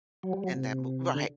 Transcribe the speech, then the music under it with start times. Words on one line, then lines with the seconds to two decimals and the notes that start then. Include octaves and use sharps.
And that mo right.
0.23 F#3
0.33 G3
0.44 F#3
0.54 C3
1.14 D3